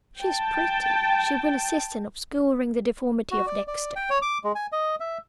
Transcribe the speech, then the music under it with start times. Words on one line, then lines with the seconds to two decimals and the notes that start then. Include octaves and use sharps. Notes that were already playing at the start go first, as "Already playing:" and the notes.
She is pretty; she will assist in obscuring the deformity of Dexter.
0.20 G5 A5
3.31 F#4
3.47 D5
3.68 D5
3.96 G5
4.10 C#5
4.22 D6
4.44 G#3
4.55 G#5
4.72 D#5
5.00 E5